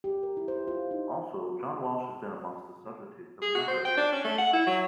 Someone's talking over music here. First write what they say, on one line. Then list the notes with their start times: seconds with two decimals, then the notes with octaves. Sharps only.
Also, John Welsh has been amongst the substitutes for a number of European games.
0.04 G4
0.23 A#4
0.37 E4
0.48 C5
0.68 F4
0.91 D#4
3.42 G#4
3.55 F#4
3.68 C5
3.85 G5
3.97 D4
4.12 C#4
4.24 A3
4.38 F#5
4.53 E4
4.67 F#3